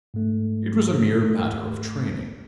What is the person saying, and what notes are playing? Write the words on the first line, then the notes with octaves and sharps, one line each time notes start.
It was a mere matter of training.
G#2 A3